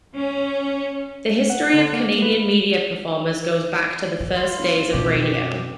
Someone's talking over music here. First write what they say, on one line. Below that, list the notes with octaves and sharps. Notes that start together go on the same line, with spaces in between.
The history of Canadian media performers goes back to the first days of radio.
C#4
F#5
D3
A#3
B4
E3
F4
F#1
F2 B2 C4 G4
F#2